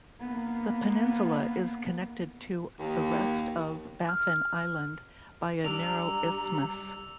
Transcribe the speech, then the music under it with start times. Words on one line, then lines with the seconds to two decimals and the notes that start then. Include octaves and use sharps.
The peninsula is connected to the rest of Baffin Island by a narrow isthmus.
0.20 A#3 B3
2.77 D#2
4.09 F6
5.64 G3 D4 A#5 D6 E6 F7